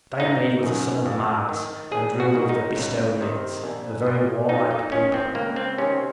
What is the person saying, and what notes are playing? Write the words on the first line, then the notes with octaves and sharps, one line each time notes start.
Diomede was a son of Mars and ruler of the Bistonians, a very warlike people.
G#1 D#4
F#2 D#3
F2
D#3
A#1 G#4
F#4
G#2 D#3
D#4
C#2
C3 D#3
A#1
A#2
F2 D#4
D#4
D#3 C#4
C4
C#2 A#3
C4
C3 D#3 C#4